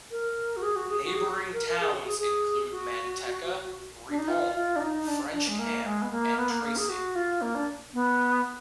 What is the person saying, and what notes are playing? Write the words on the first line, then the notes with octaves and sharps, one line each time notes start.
Neighboring towns include Manteca, Ripon, French Camp, and Tracy.
A#4
F#4
G#4
F#4
G#4
F#4
G#4
F#4
A#4
A#4
G#4
F#4
G#4
G#4
F#4
D4
D#4
F4
F4
D4
D#4
D#4
D4
D4
G#3
A#3
G#3
B3
A#3
B3
A#3
A#3
G#4
F#4
F4
A#3
D4
B3